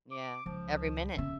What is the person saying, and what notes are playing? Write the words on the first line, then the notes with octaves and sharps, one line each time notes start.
Yeah. Every minute.
D6
C#2 F3
C#3 C#4 E5